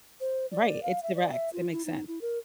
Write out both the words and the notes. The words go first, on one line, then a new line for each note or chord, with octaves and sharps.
Right, it's direct, it makes sense.
C5
D5
F5
E5
D5
E5
F4
E4
D#4
E4
A#4